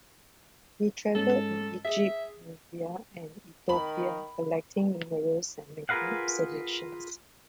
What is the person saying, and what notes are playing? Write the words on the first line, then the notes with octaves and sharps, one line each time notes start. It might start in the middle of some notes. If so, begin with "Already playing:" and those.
He travelled in Egypt, Nubia, and Ethiopia, collecting minerals and making observations.
G#2 C#4 A4
G#4 E5
D#3 B5 F#7
F4 G#4 A#4 B4 F5 F#5